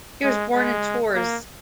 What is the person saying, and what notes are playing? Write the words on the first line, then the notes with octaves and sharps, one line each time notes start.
He was born in Tours.
G#3
G#3
A#3